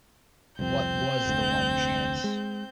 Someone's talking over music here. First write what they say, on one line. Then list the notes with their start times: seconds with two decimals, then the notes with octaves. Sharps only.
What was the one chance?
0.59 C2 F2 C4 G6
1.25 F1 D2
2.24 G#3